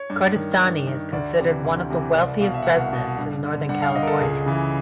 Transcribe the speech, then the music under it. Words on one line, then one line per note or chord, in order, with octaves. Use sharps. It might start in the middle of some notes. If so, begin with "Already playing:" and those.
Kordestani is consider one of the wealthiest residents in Northern California.
Already playing: C#5
G2
D#3
G2
D#3
D2 D5
C3 E3
D2
C3 E3
C2 D5
B2 F5
E5
F#5
C2 F5
B2
G2
D3
G2 F#5
F5
D3 D#5
A#4
A4
C#2 G#4
C#3 E3